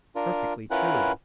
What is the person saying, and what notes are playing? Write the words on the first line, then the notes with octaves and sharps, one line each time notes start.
"Perfectly true."
D4 F4 A#4
C#4 E4 F4 A#4 B4 F#5